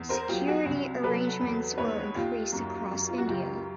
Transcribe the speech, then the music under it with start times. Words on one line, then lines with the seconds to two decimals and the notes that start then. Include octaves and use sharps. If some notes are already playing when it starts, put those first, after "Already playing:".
Security arrangements were increased across India.
Already playing: E2
0.09 A#4 C5
0.29 F#3 F4 G4
0.47 F#4 G#4
0.66 C2
1.03 F#3 A4 B4
1.41 E2
1.78 D#2 B4 C#5
2.15 D#2 F4 G4
2.53 F#2
2.91 F#2
3.08 F4
3.18 F#4
3.27 C#2 F4 G4